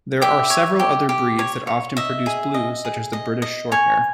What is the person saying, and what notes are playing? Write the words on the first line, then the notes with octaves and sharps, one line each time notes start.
There are several other breeds that often produce blues such as the British Shorthair.
G4 E5
C#5
G4
G4
C#5
C#5
D#5 E5
G#4
D#5
G#4
D#5
D#5
C#5 G#5